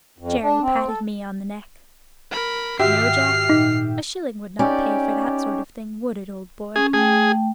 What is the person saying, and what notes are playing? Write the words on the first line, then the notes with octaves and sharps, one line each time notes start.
Jerry patted me on the neck: "No, Jack, a shilling would not pay for that sort of thing, would it, old boy?"
F2
D4
C4
A4
A#4 B5
G#2 D#3 F#4 G4 E5 F6 C7
A#2 D#4
C#4 D#4 G4 D5
C#4 G#4
A3 G#4 G5